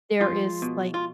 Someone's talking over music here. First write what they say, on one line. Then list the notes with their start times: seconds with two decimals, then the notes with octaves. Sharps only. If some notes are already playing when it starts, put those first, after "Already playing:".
there is, like,
0.20 F3 G#3 F4
0.62 B2
0.94 F4